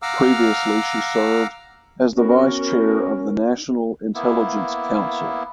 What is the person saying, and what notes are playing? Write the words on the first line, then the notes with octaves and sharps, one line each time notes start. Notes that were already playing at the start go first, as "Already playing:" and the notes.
Previously she served as the Vice Chair of the National Intelligence Council.
F5 F#5 A#5 D6 E6 F6
B3 C#4 F#4 A#4
A#3 B3 E4